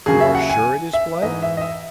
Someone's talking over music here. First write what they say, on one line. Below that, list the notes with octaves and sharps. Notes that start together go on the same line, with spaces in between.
"You are sure it is blood?"
D#2 C#3 F#3 G#4
E5
F#5
G#5
E5
G#2 E3 D#5
E5
D#5
E5